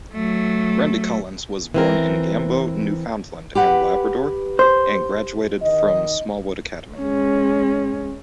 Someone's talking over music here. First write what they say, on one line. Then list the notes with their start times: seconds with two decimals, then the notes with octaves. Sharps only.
Randy Collins was born in Gambo, Newfoundland and Labrador and graduated from Smallwood Academy.
0.13 F#3 A3
1.74 E3 C4 A#4
3.55 G4 B4 F#5
4.59 C5
5.62 D#3 D#4 D#5
6.99 G#3 C#4